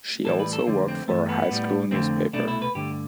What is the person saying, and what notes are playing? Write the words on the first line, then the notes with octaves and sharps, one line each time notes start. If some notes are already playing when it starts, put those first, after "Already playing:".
She also worked for her high school newspaper.
A2 E3 G3 A4
B4
A4
F2 D3 A3 C4
C4
G2 E3 A3
B3
A2 G3
F2 D3 A3 C4
C2 B2 A3 D4
E4
B4
G2 D3 A3 G4